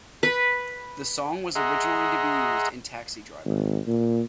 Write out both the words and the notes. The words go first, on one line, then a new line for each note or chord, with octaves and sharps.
The song was originally to be used in "Taxi Driver".
B4
G#4 D#5 E5 F#5 A#5 C6
G#1
A#2